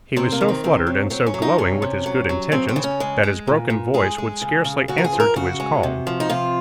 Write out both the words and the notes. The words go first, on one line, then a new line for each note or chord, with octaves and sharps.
He was so fluttered and so glowing with his good intentions, that his broken voice would scarcely answer to his call.
C3 C4
A#3
D#3
C4
C3 C4
F#3
F#3 C4
C#4
F#3
D#4
C3 C#4
C3
F#3
F#3
C#3 C4
C4
C#3
C#4
G#3
G#3
A#2
A#2
G#3 G#4
G#3
C#3
C#3
C#3 F#4
A#4
G#4
F3
A#4
C#3 F#4
G#3
C3
F3
D#4
C3 F4